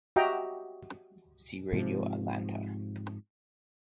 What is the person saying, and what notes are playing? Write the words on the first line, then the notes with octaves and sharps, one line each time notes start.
See Radio Atlanta.
F#4 G4 D#5 E5 G5 A#5
G#2 C3 F3